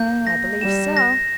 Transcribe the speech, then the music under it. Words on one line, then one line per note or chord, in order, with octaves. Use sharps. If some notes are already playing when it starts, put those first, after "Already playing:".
"I believe so."
Already playing: A#3 G6
A#6
G3 E7
A#6